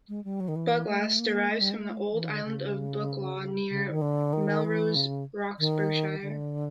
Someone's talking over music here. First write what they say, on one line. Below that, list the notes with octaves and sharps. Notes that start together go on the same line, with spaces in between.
Buglass derives from the old lands of Booklawes near Melrose, Roxburghshire.
G#3
G3
F#3
D#3
E3
A3
A#3
A3
G3
G#3
A3
G#3
E3
D3
C#3
C#3
D#3
D3
D#3
E3
C#3
D#3
D3